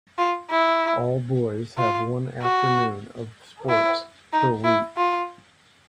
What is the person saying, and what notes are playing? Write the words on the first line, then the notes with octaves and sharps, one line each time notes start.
All boys have one afternoon of sports per week.
F4
E4
F4
F#4
E4
D#4
E4
F4